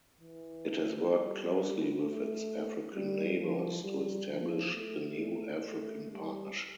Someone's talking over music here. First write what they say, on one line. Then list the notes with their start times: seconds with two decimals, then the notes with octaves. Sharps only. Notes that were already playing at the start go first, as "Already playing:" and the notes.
It has worked closely with its African neighbors to establish the New African Partnership.
0.20 E3
1.11 G3
2.03 A3
2.93 G3
3.38 F3
3.83 G3
4.30 F3
4.75 A3
5.66 A3
6.11 G3